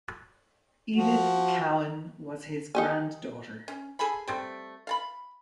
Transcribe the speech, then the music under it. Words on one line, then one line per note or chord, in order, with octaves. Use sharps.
Edith Cowan was his granddaughter.
F3 F#4
D#4 G4 G#5
C#4
G#4 A4 G#5 B5
G3 A3 C4
F5 A5 B5